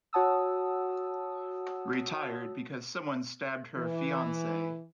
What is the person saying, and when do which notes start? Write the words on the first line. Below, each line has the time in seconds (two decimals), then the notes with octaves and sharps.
Retired because someone stabbed her fiance.
0.13 F#4 C#5 F#5 A5 D#6 E6
3.77 E3